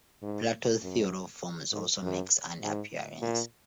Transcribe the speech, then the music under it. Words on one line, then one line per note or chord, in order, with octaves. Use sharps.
Plato's theory of forms also makes an appearance.
G#2
F#2
G#2
F#2
G#2
A#2